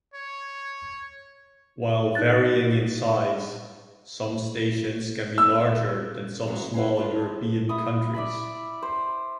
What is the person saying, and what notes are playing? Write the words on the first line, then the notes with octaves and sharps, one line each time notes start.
While varying in size, some stations can be larger than some small European countries.
C#5
D#4 C#5 F#6 A6
E6
C#3 F#3 G#3 B3 C#4
E4 F4 B4 F5 G#5
D4 F4 B4 A5
E4 D#6
D5 E5 B5
C5